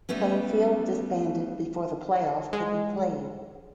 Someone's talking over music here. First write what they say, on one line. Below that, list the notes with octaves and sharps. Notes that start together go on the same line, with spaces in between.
Plainfield disbanded before the playoff could be played.
G3 A3 B3 C#4
G#3